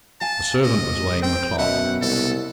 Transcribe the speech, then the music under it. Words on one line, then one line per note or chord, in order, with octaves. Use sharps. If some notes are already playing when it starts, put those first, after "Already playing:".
The servant was laying the cloth.
F5 G#5 A5
D#5
C4 G5
F#2 B2 E5 F#5 A5
C2 A4